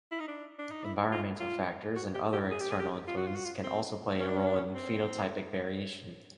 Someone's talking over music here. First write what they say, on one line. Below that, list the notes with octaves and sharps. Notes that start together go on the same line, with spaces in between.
Environmental factors and other external influences can also play a role in phenotypic variation.
E4
D#4
D4
D4
D#4
E4
F4
F4
F#4
G4
G4
G#4
G4
G#4
G4
F4
F#4
F4
F#4
F4
C4
C#4
D4
C#4
D4
C#4
C4